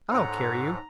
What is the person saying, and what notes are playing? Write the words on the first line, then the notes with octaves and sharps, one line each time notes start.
"I'll carry you."
G#2 A4 C5 C#5 F#5 A#5